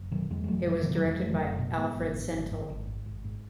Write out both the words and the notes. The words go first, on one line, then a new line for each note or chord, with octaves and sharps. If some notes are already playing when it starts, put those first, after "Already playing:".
It was directed by Alfred Santell.
Already playing: F#1
B2 D#3 F#3
E2 E3 G#3
G#3
F#1 F#3 A3
F#1 E3 G#3
B2 D#3 F#3
D#3 F#3
E2 E3 G#3
F#1 F#3 A3
F#1
B2
G#2 G#3 B3
G#1
G#2
G#1
G#2
G#1
G#2
G#1
G#2